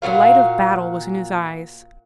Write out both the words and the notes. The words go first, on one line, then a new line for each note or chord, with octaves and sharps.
The light of battle was in his eyes.
A#2 C#4 F#4 F5